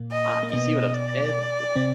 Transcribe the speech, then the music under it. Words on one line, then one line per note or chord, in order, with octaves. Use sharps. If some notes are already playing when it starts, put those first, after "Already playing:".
Ah, you see what I'm saying? Like it's
Already playing: A#2 A#3
D#5
A#3
B2 B3 D#5
D5
C3 C4